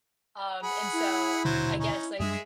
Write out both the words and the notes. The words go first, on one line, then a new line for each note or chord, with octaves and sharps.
um, and so, I guess, like
G#4 F#5 B5
E4
D#1 B2 D3 F#3 C5
C#4 D#4
F#2 G3 G#3 D4 G#4 E5